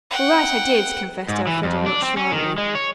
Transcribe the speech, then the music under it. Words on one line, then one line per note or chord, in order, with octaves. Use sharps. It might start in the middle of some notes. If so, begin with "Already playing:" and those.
"All right, I did," confessed Elfreda nonchalantly.
F#5 G5
G#2
E3
F2
D4
C4
C#4
D#3
G#3
C#5